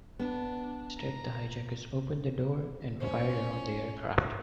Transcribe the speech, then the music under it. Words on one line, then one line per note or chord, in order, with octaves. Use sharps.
Instead, the hijackers opened the door and fired around the aircraft.
B3 D4
A#5
C#4 C5